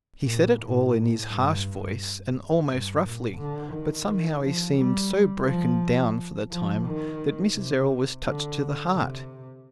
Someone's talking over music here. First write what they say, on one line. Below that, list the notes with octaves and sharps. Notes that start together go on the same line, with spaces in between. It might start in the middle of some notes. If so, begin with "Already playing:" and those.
He said it all in his harsh voice, and almost roughly, but somehow he seemed so broken down for the time that Mrs. Errol was touched to the heart.
A#2
A2
G2
G2
A#2
D3
D#3
D#3
F3
G3
F3
F3
D#3
C3
D3
C3